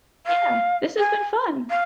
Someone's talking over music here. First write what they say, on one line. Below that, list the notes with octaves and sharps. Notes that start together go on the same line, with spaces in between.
Yeah, this has been fun.
F5
G#5
F5